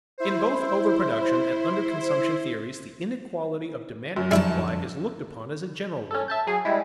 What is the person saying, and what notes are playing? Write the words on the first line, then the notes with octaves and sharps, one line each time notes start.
In both over-production and under-consumption theories the inequality of demand and supply is looked upon as a general one.
E4 C5
F#2
F2 D3 G3 E4 A5
C#4 A4
E5 A5 G6
F#3 G#4
G3 G#3 E4